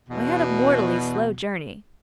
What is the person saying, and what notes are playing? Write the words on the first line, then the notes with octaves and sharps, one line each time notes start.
We had a mortally slow journey.
E2 B2